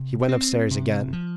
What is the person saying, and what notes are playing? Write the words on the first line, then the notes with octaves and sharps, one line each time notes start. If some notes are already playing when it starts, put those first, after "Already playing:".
He went up stairs again.
Already playing: C3
C4
C3
F3